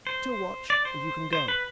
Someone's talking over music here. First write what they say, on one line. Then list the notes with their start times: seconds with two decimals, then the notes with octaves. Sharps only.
Til watch, and you can go.'
0.07 C5
0.70 D5
0.85 C5
1.33 C5
1.48 B4